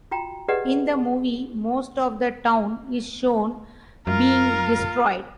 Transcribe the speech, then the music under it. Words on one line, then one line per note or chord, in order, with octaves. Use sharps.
In the movie most of the town is shown being destroyed.
F4 F#4 G5 A#5
G4 G#4 B4 D5 D#5 F#5
F#2 F4 A#4